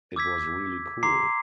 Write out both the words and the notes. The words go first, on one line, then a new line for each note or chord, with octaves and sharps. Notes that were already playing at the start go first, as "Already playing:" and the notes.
It was really cool.
D6 E6 G#6 B6
A#5 C6 D6 C7